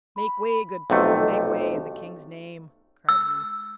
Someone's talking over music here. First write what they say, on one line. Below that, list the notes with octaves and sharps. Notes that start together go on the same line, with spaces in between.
"Make way, good people--make way, in the King's name!" cried he.
B5
B1 F2 C3 A3
E6